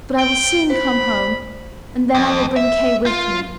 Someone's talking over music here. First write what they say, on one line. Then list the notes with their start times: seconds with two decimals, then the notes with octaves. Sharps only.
But I will soon come home, and then I will bring Kay with me.
0.18 G5
0.70 C5 B5
2.15 F2
2.56 E5
3.06 F4